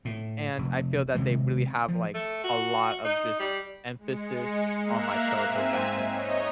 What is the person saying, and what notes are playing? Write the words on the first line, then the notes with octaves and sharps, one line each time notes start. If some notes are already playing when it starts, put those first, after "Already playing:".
and I feel that they really have, like, a lot of just emphasis on my childhood back then.
A2
F1
C3 D#3 G#3
F3
A3
F#4
D#4
G3
G#3 C#7
A#3 A#4 E5 F5 A#5 F#6
G#2 C4 E5 G#5 D#7
D#4 C#5 D#5